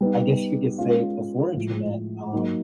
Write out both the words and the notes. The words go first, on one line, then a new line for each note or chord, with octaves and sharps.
I guess you could say before internet, um,
G3 B3 D#4
G#3 C#4 F4
A2 F3 G#3
F#3 A#3 D#4